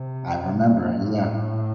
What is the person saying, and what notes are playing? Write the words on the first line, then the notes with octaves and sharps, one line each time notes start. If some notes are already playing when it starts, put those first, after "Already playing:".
I remember, yeah.
Already playing: C3
C3
A2